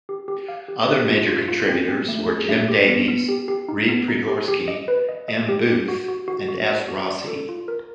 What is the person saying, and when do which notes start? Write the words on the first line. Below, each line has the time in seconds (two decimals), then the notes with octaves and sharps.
Other major contributors were Jim Davies, Reid Priedhorsky, M. Booth, and F. Rossi.
0.09 G4
0.28 G4
0.49 F5
0.68 G4
0.89 G4
1.09 F4
1.29 F4
1.48 F4
1.69 C4
1.89 C4
2.08 A3
2.28 G#4
2.49 A3
2.68 G4
2.88 B3
3.08 B3
3.29 G4
3.48 G4
3.68 D#4
3.89 B3
4.08 D#4
4.28 G4
4.48 G4
4.68 D#5
4.88 B4
5.09 D#5
5.28 D#5
5.49 G4
5.68 G4
5.88 F#4
6.08 F#4
6.28 F#4
6.49 F#4
6.68 D5
6.88 F#4
7.08 D5
7.28 A4
7.49 F4
7.68 A#4